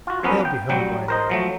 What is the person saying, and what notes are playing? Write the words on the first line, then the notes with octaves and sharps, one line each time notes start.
They'll be home by now.
F4 F#4
F#2 F3 B3 C#4 A#4 B4
G5
A1 F#3 G3 G5
A#4 C5 D#5
F3 F#3 A3